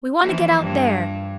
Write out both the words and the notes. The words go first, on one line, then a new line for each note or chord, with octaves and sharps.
We want to get out there.
E3 F3 A#3
G2